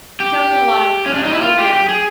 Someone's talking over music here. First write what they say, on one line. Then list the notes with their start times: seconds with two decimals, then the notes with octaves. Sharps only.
you don't get a lot of human
0.20 G4
1.06 C#4
1.14 D4
1.24 D#4
1.33 E4
1.42 F4
1.58 G4
1.73 G4
1.89 G#4